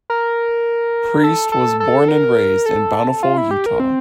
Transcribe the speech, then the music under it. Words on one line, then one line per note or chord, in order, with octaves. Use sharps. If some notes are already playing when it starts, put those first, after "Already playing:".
Priest was born and raised in Bountiful, Utah.
A#4
A4
A4
A4
A#4
A4
F4
E4
G4
A#4
C4